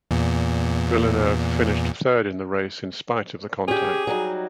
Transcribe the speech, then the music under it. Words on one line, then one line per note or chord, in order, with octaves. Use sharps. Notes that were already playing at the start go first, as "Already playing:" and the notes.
Villeneuve finished third in the race in spite of the contact.
E2 A#2
C#4 G4 G#4
F#3 G3 D#4